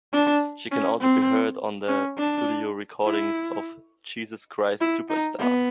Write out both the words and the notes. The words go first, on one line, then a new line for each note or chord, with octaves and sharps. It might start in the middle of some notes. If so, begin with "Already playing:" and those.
She can also be heard on the studio recording of "Jesus Christ Superstar".
D4
C#4
C4
C#4
D4
E4
E4
D#4
B3